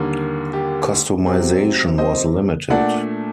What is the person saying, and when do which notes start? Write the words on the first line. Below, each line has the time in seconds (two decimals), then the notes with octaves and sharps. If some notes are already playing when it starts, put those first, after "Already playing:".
Customization was limited.
Already playing: D#2 D3 G3 A#3
0.53 G4
1.26 C3 F#3 C4
1.98 C5 D#5
2.70 A#2 A3 D4 D5 F#5